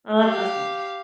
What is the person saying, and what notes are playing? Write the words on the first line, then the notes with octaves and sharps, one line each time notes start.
Oh, that's awesome.
G4 F5